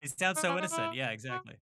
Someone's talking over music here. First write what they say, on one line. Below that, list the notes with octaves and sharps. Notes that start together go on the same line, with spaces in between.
It sounds so innocent. Yeah, exactly.
D#4
C#4
D#4
E4
F#4